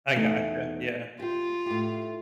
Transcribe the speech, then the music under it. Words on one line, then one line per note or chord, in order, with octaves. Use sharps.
I gotcha, yeah.
E2 A3 D#4
F4 G4 G5
A2 G4